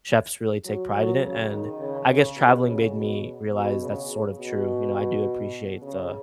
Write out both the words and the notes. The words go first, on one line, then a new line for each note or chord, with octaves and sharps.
Chefs really take pride in it, and, I guess traveling made me realize that's sort of true, you know, I do appreciate the
F#3
F#3
C#3
D#3
C#3
C#3
B2
C#3
B2
B2
C#3
B2
C#3